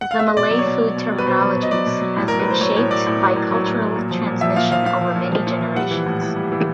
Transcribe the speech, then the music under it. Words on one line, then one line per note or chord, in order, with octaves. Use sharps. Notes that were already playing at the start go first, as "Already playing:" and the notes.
The Malay food terminologies has been shaped by cultural transmission over many generations.
F#5
F5
E5
D#5
B2 D5
F#3
C#5
B2
F#3
B2
F#3
B4
B2 C5
F#3
B2
D#5
F#3 D5
B2
F#3
A2
F#3 A#4
B4
A2 C5
F#3 C#5
A2 C#5
F#3 D5
A2
F#3
A2
F#3
A2
F#3
A#2
F3
A#2
F3 E5
A#2 F5
F3 F5
A#2 F5
F3
A#2
F3
A#2
F3
G3 F#5
E3
A2
A2
G3
E3